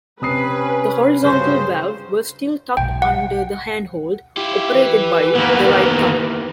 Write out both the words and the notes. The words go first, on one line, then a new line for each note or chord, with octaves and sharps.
The horizontal valve was still tucked under the handhold, operated by the right thumb.
C3 C4 C#4 B4 D#6 C7
C#2 G2 C#3 F#3 C5
B1 G#2 G5
F#5
E4 F4 G4
E3 B4
D#3 A#3 B3